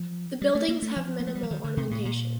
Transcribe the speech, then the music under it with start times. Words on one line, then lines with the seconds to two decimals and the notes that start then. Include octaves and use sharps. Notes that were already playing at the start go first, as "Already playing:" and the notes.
The buildings have minimal ornamentation.
Already playing: F3
0.42 G3
0.55 A3
0.68 A#3
0.82 A3
0.96 F3
1.20 A#3
1.27 A3
1.35 G3
1.43 F3
1.51 D#3
1.64 D3
1.77 C3
1.91 A2
2.05 A#2